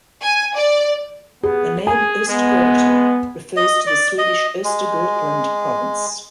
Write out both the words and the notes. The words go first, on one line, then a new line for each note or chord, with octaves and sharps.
The name Östgöta refers to the Swedish Östergötland province.
G#5
D5
B3 G#4
G#4 G#5
G#3 B3
D#5
D5
D#5
G#3